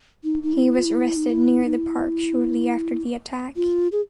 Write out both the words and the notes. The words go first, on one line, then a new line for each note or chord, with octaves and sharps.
He was arrested near the park shortly after the attack.
D#4
D#4
E4
F4
E4
D#4
E4
D#4
E4
F4
G#4